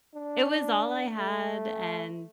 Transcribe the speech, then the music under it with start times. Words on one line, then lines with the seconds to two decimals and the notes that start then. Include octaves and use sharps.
It was all I had, and
0.15 D4
1.18 A3